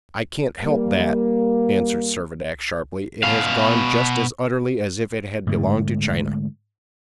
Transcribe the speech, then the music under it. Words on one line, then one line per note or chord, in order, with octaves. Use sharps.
"I can't help that," answered Servadac, sharply; "it has gone just as utterly as if it had belonged to China."
G3 A#3
B2 F5
G#2 D3 A3